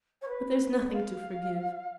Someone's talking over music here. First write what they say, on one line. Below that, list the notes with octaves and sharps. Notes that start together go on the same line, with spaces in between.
"But there's nothing to forgive."
C#5
B4
D5
F5